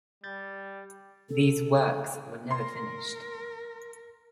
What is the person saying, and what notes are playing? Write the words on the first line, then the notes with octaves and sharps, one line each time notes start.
These works were never finished.
G3 G6 A6
A4
A#4 C6